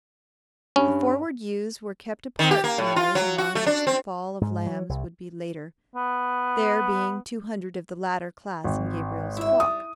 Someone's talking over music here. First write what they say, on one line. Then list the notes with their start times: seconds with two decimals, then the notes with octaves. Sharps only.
The forward ewes were kept apart from those among which the fall of lambs would be later, there being two hundred of the latter class in Gabriel's flock.
0.76 G2 C#4
2.39 D#3
2.51 G4
2.64 A#3
2.78 A2
2.96 F4
3.15 F#3
3.38 F#4
3.55 A3
3.66 D4
3.87 C4
4.41 G#2
4.66 F#3
4.89 C2
5.96 B3
8.64 G#1
9.37 E4 E5
9.60 G3 D#6